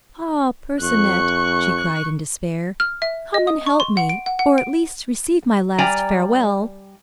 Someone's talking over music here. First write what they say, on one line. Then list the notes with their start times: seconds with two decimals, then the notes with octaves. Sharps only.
"Ah! Percinet," she cried in despair, "come and help me, or at least receive my last farewell."
0.82 F2 C#6 F#6
2.80 F6
3.02 E5
3.34 D#5
3.47 D#6
3.66 C#6
3.80 C6
3.97 F#5
4.09 D7
4.26 F#5
4.39 F#5
4.58 D7
5.78 G3 D5 G5 G#5 A#5